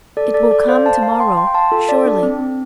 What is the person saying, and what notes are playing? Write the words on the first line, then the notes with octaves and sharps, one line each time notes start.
"It will come to-morrow, surely."
A4 D5
A4 D5
A4 D5
C5 F5
F5 A5
F5 A5
G5 C6
G5 C6
G5
F5 A5
F4 A4
A4 D5
D4
C4
C4